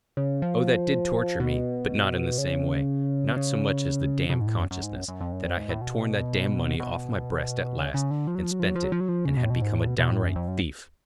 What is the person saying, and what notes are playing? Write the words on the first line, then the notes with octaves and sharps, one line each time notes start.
Oh, that did torture me, but not in the same way: not so much as the damned consciousness that I had torn that damned money off my breast at last and spent it, and had become a downright thief!
C#3
F3
B2
C#3
C#3
C#3
B2
G#2
A2
F#2
F#2
G#2
F#2
F#2
F2
F#2
F2
G#2
A2
B2
B2
C#3
C#3
D3
F3
F#3
F3
F#3
F3
F#3
F3
F#3
F3
F#3
F3
C#3
B2
A2
B2
G#2
A2
B2
B2
A2
F#2
F2
F#2